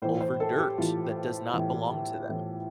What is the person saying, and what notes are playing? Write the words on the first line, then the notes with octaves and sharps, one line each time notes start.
over dirt that does not belong to them
A2 E3 C5
C5
A4
G4
A2 E3 F4
A2 E3
A2 E3